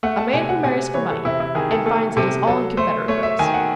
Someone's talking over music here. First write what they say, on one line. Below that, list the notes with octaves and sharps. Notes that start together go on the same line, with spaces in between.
A man who marries for money and finds it is all in Confederate bills.
A3 F#5
A5
C3 G#5
F#5
C3 G#5
E3 C#5
A4
C3 E4
E4
D#3 G#4
A4
A3 A4
C3 A4
F#3 A4
A3 C5
A3 C#5
E5
D#3 G#5
F#5